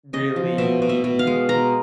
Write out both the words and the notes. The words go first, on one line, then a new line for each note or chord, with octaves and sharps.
really be
C#3 D#5
F3
B2 E5
B2
E5
B2
F5
G#3
B2 A#5